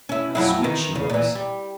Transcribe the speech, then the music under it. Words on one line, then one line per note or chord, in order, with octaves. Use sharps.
How sweet she was!
C#4 E4
F2 F#3 E4
D#3 E3
C#3
A#2 E3
G3